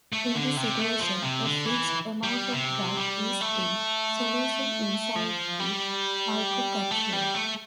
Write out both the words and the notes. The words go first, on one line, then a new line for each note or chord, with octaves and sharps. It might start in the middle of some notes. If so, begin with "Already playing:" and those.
In this situation, a fixed amount of drug is in solution inside the microcapsule.
A3
D3
C3
A3
F3
C3
D3
E3
G3
C3
G3
A3
F3
G3
A3
G3
A3